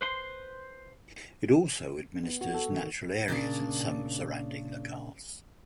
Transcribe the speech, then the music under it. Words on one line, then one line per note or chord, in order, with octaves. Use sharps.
It also administers natural areas in some surrounding locales.
B4 C5 C6
B3
F#4
A4
D#3
A#2 C#3 D4 G4 D5 A5